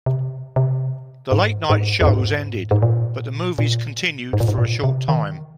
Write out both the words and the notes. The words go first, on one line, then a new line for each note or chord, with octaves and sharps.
The late night shows ended, but the movies continued for a short time.
C3
C3
G#2
G#2
F2
G#2
G#2
A#2
A#2
G#2
A#2
G#2
A#2
C3
D#3